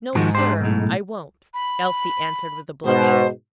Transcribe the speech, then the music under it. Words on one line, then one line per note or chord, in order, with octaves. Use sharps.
"No, sir, I won't," Elsie answered with a blush.
G#2 D#3 F3 F#4
D4 G4 C5
B1 A2
B5
G#2 B2 C5